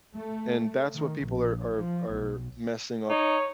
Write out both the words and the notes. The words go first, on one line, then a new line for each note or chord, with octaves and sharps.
And that's what people are are are messing up.
A3
D#3
A#1
F3
B1
D#4 C#5